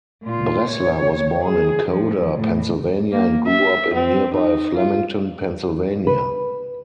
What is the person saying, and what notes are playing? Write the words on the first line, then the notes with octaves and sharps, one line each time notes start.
Bressler was born in Coder, Pennsylvania and grew up in nearby Flemington, Pennsylvania.
A#2 F4
C#5
G#4
F3
A2
A#3
E5
C4
D#4
F4
B4